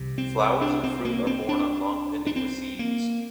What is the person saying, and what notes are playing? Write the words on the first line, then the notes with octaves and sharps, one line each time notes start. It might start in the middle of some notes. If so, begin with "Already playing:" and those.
Flowers and fruit are born on long pending racemes.
Already playing: C2 C3
C4
D4
C4
A#3
C4
D4
D4
C4
A#3